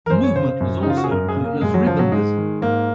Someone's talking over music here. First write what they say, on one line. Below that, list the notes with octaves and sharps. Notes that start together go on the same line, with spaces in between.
The movement was also known as Ribandism.
A#4
F#2 C5
C#5
C#3 C5
C5
F#2
D#4
C#3 F4
F#4
G#4
F#2 A#4
G#4
C#3
A#3
F#2 G#3
F#3
C#3 F3
F#3
G#2 G#3
D#3
G#2 A#3